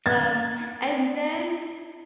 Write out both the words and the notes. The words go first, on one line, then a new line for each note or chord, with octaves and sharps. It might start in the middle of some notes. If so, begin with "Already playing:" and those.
Um, and then
G#6 A6